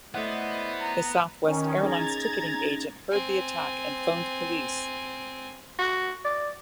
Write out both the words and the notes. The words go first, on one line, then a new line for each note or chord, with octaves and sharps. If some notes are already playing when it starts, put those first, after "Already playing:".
The Southwest Airlines ticketing agent heard the attack and phoned police.
A3 B3 E4 C5 D5 D#5 F#5
A#5
D#3 C#4
C#4 D#4 G#4 A#5 G#6 A6
C4 G#5
F#4
D5